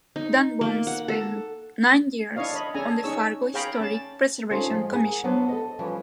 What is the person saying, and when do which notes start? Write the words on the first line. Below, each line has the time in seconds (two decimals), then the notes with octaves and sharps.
Danbom spent nine years on the Fargo Historic Preservation Commission.
0.16 D#4
0.61 A#3
0.87 F#5
1.08 A4
2.36 D4 E4 C#5 D#5 F5
2.54 C#5 D#5 B5
2.74 C#4 D4 G#4 A4 G#5 A#5
3.04 C#4 D#4 G#4 C#5 E6
3.54 G#4 C#5 F5 G5 A#5 B5
3.80 C#4 A5
4.50 C#4 D#4 F4 A4 C5
4.71 F3 G#3
4.91 A#3 G4 G#4 F#5 G#5
5.24 F#3 B3 D4 B4 C5
5.48 A4 D#5
5.79 E3 F3 G3 C#4